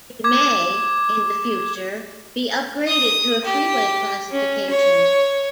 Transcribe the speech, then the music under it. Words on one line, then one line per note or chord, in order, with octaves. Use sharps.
It may in the future be upgraded to a freeway classification.
D6 G#6
D#6
G4
C#4
C#5